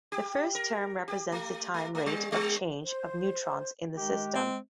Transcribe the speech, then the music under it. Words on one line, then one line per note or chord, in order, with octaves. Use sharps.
The first term represents the time rate of change of neutrons in the system.
G4
A#4
G4
A3
A3
A3
G3
G3
C5
D#3 G#3 G4
C4